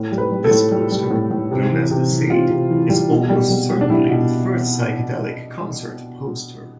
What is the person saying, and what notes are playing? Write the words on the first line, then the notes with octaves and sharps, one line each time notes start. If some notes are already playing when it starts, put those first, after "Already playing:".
This poster-known as "The Seed"-is almost certainly the first psychedelic concert poster.
Already playing: A2
G3
B4
G3
A4
A2
G3
G3
A2
A2
C3
E3
C3
E3
C3 F4
C3
E3
G3
B2
G3
G3
G3
D4
G3 E4
B2